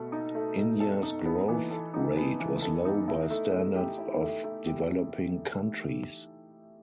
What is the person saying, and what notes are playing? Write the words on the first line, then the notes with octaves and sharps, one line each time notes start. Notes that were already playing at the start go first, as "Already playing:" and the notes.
India's growth rate was low by standards of developing countries.
Already playing: B2 A3 A4
D#4
A3
B2
A4
D#4
B3
E3
A4
D#4
B3
E3
A4
D#4
E4
A3
A3
G4
E4
A3
A3
G4